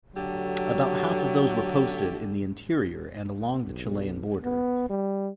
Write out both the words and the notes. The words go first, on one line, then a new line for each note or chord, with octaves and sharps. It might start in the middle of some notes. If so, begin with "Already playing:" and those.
About half of those were posted in the interior and along the Chilean border.
D3 F#3 A3 G4
B1
B3
G3